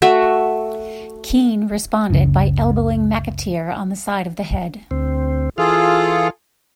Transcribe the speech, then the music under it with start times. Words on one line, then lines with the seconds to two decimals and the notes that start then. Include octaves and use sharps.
Keane responded by elbowing McAteer on the side of the head.
0.02 A3 F#4 E5
2.10 F#1 C#2 C#3 A3
4.91 D2 C4
5.58 E3 F4 G#4 A4 F5